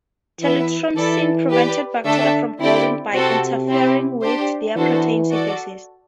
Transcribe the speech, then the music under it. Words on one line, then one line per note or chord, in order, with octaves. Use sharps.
Telithromycin prevents bacteria from growing, by interfering with their protein synthesis.
E3 B3 E4 B4 E5
E3 E4 A4 D5
G4 B4 D5
D3 A3 D4 A4 E5
D3 C4 E4 G4 D5 G5
C3 C4 F#4 A4
C4 E4 G4
D4 G4 C5
E3 B3 D4 F#4 A4 C5
F#4 A4 D5